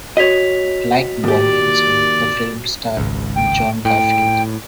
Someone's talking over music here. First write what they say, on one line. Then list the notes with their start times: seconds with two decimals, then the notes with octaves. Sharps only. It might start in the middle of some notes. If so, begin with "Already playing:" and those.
Like "Body and Soul", the film starred John Garfield.
0.17 F#4 C#5 D#5 B6 F7
1.24 D#2 G4 D5
2.97 G#1 C#2
3.36 G5
3.85 A2 G5